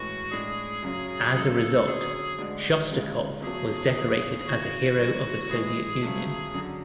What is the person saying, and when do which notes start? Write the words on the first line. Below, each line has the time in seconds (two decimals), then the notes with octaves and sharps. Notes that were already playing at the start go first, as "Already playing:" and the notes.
As a result, Shostakov was decorated as a hero of the Soviet Union.
Already playing: A2 E3 G#3 C#4 F#4
0.31 A2 G#3 D4 G#4
0.82 F#2 C#3 F#3 C#4
1.35 F#2 C#3 G#3 A4
1.86 D3 F#3 C#4 G#4
2.38 D2 D3 G#3 D4
2.91 C#2 C#3 G#3
3.42 E2 C#3 F#3 A3 G#4
3.94 E2 C#3 E3
4.46 D2 C#3 E3 F#4
4.98 F#2 E3 G#3 C#4
5.50 A2 E3 G#3 G#4
6.02 C#2 C#3 F#3 A3
6.54 F#2 D3 F#3